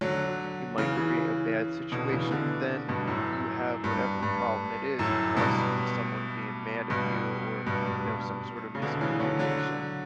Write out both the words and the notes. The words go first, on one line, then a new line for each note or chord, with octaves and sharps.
you might create a bad situation, then you have whatever problem it is plus someone being mad at you or, you know, some sort of miscommunication
D3 F#3
C#3 E3
C#3 E3
B2 D3
C#3 E3
B2 D3
G2 B2
F#2 A2
G2
G2
F#2 A2
G2 B2
G2 B2
G2 B2
G2
G2
C#3
B2 D3
C#3 E3
D3 F#3
D3 F#3